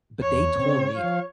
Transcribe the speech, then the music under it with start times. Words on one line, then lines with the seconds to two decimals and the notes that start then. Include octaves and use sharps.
But, they told me,
0.22 E2 C#5
0.55 C#3 C4
0.96 F3 F5